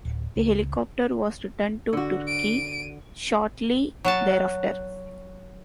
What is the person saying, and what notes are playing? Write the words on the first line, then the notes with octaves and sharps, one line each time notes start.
The helicopter was returned to Turkey shortly thereafter.
D1
C#2
D3 F#4
D7 D#7
F#3 F#4 A5